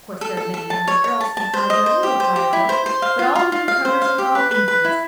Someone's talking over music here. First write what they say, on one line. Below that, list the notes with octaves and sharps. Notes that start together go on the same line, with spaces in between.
Of course, there are many younger girls than either of you at Briarwood, but all newcomers are called Infants.
A4
A4
A4
A5
C#5
C#5
A5
A5
C5
D#5
C5
G4
C5
G4
E4
C5
C5
F5
F4
F4
F4
F5
C5
F5
G4
B4
B4
B4
E4